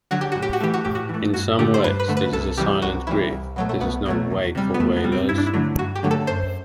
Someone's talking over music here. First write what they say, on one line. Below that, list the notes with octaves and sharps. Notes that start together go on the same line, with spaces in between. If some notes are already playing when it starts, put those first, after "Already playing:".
In some ways this is a silent grief, this is no wake for wailers.
D3 F#3 F#4
G4
A2 F#4
G4
F#4
E3 A3 G4
F#4
A2 G4
F#4
E3 A3
G2 F#4
D3 A3 G4
C5
G2 B4
B4
D3 A3
B4
C2 A4
C3 E3 G3 G4
C2 F#4
C3 E3 G3 E4
C2
B2 F#3 A3
A3
C2 B3
B2 F#3 A3
E2
C3 G3
B3
E2 A3
B3
C3 G3
C4
G2 E4
D4
E4
D3 F#3 A3
G2 F#4
G4
D3 F#3 A3
A4
F#2 C5